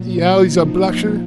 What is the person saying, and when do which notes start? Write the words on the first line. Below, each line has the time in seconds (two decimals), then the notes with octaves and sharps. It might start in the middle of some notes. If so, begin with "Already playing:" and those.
See how he's a-blushing!
Already playing: A#2 F#3
0.36 A#2 F3 D#4